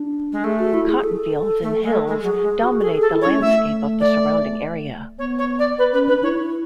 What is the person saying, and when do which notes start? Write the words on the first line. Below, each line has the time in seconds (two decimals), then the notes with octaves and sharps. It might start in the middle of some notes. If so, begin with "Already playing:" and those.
Cotton fields and hills dominate the landscape of the surrounding area.
Already playing: D4
0.32 G#3
0.44 A3 G#4
0.59 F#4
0.74 E4
0.89 G#4
1.04 A4
1.63 A3
1.83 G#3
1.93 A3
2.08 G#3
2.22 F#3 G#4
2.42 G#3
2.62 F#4
2.82 G#4 A4
2.96 G#4
3.01 A4
3.11 E4
3.22 C#5
3.26 C#4
3.41 A3 E5
4.00 D5
5.19 B3 C#5
5.39 C#5
5.59 D5
5.79 B4
5.93 C#4 B4
6.08 D4 B4
6.23 E4 C#5
6.38 E4